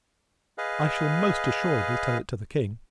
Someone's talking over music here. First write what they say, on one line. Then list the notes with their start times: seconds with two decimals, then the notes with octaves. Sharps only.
I shall, most assuredly, tell it to the King!
0.58 G#4 B4 D#5 F5